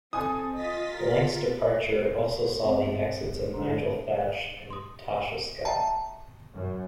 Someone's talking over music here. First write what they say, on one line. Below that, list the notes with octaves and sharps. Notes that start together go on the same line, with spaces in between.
Blank's departure also saw the exits of Nigel Thatch and Tasha Scott.
C4 A4 G#5 D#6
F4 D#5 A6 B6
A#4
G2 B3 C4
D3 G#4 A#5 C6
C6 D#6
E5 G5 A5 A#5
F#2